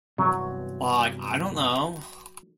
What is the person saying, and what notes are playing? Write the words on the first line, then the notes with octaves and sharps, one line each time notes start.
Like, I don't know.
E2 G2 C3 F#3